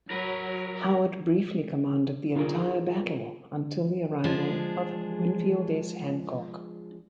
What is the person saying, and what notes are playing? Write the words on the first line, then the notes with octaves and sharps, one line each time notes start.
Howard briefly commanded the entire battle until the arrival of Winfield S. Hancock.
F#3 A#4 B4
D#4 F4 G#4 A#4
F3 G#3 D4 G#4